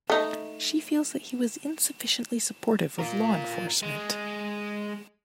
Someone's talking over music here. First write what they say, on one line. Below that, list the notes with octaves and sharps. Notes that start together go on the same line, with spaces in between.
She feels that he was insufficiently supportive of law enforcement.
A3 D#4
F4 A#4
G#3